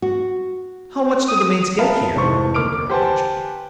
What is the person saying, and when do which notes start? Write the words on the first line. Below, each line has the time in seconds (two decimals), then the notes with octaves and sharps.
"How much do the maids get here?" Carol ventured.
0.02 F#4
1.28 D#6
1.79 B3 A#4 E5 F5 A5 B5
2.16 F1 G#2 E3 C5 A5 C#6
2.54 D2 A#3 D6 F6 D7
2.89 G4 B4 C5 F#5 G#5 A5